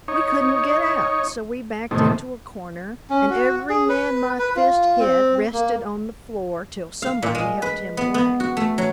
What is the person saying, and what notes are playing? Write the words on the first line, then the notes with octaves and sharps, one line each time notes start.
We couldn't get out, so we backed into a corner; and every man my fist hit rested on the floor till somebody helped him away.
D#4 C#5
E2 A2 C3 D#3
C#4
F#4
G#4
B4
B4
F4
C4
A#3
F5
A#2
G#3
B4
B3
B3
F#4
A3
F#3